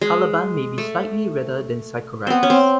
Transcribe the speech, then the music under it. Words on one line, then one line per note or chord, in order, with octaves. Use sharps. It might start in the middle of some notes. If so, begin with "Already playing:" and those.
Caliban may be slightly redder than Sycorax.
G#3
A3
B3 C4
C#4
C4